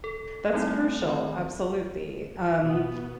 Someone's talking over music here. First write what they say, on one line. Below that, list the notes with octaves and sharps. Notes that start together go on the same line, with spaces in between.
that's crucial, absolutely, um,
A4
G3 A3 C4 D#4 E4
D#3 C4 B5
B2 B3